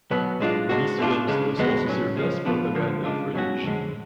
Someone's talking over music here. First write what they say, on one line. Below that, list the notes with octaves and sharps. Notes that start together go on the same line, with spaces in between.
These films thus also served as propaganda for the regime.
B1 B2 F#3 B3
A2 G#3 D4 F4
G#2 G#3 D4 F#4
B2 A3 D4 F4
C#2 C#3 G#3 D4
F2 D3 G#3 B3 F#4
A2 F#3 C#4
C#2 C#3 F3 G#3
F2 F3 B3 D4 F4
D2 D3 F3
C#3 G#3 D4 F4
B2 F#3 C#4 F#4
F2 D3 G#3